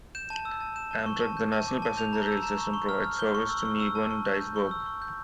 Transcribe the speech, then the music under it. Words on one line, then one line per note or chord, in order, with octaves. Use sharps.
Amtrak, the national passenger rail system, provides service to Newbern-Dyersburg.
G6 E7
A5
E6
A5
G6 E7
A5
C#6
A5
G6
A5
D6
A5
G6 F7
A#5
E6
A#5
C#6
C#6
F6
F6
G6 G7
C#6
E6
C#6
E6
A5
C#6
G6
G6
C#6
E6
C#6
G6